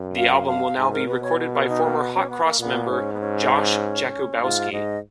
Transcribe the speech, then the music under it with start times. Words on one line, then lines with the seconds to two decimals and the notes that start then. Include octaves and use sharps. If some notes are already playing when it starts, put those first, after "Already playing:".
The album will now be recorded by former Hot Cross member Josh Jakubowski.
Already playing: F#2
0.17 F5
0.47 F5
0.77 G#2 G#5
0.93 A#4
1.07 B2 B4
1.23 C#5
1.38 B4
1.53 A#4
1.68 D#4
1.84 A#3
1.99 B3
2.14 C#4
2.30 B3
2.45 A#3
2.59 A#2 B3
2.90 G#2 C#4
3.13 B3
3.20 C#4
4.42 G#2 F4
4.72 G#2 D#5